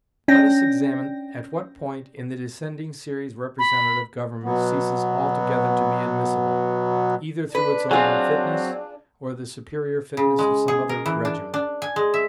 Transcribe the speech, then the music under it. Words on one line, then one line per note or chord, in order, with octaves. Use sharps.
Let us examine at what point in the descending series representative government ceases altogether to be admissible, either through its own unfitness or the superior fitness of some other regimen.
C#4 D4 G5 A#6
B5
B2 F#3 B3
D4 B4
F#3 C4 F4 G#4
C#3
G#3
G#4
A#4
E3
D4
D4
G#5
G#3
E5